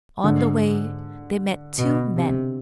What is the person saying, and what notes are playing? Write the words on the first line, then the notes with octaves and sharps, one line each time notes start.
On the way they met two men.
G#2 D3
B2
C3